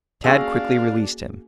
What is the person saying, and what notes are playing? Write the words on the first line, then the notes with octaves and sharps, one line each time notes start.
Tad quickly released him.
A#3 C#4 D4 F#4 G#4 F5 C6 E6